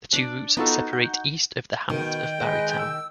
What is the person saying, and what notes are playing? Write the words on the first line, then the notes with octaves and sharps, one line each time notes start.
The two routes separate east of the hamlet of Barrytown.
D4 D5
B3 D#4 F4 F#4 A4
F#5 G6
B2 D#3 G5
G#3 B4 D#5
E6